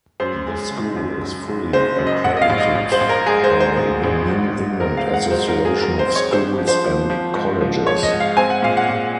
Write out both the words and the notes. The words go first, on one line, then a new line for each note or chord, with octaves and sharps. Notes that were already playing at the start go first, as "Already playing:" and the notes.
The school is fully accredited by the New England Association of Schools and Colleges.
F#2 C5
G#3
F#1
F#2
F#2
F#1
F#1 C5
F#2
D#5
A#1 F#5
D#5
F5
A#1
D#5
A#1
C5
A#1
A#4
G#2 G#4
C5
G#2
C5
A#1
A#1
G#2
A#1
C4 A#4
F5
G#2
F#5
F#3 C5
A#4
G#2
G#4
F#3 A#4
C5
C4
C#5
G#1 C5
F3
C5
F3
F3
G#2
F3
F3 C#5
D#5
G#2
F5
C4 G#5
F#5
A#2 F5
F#5
A#2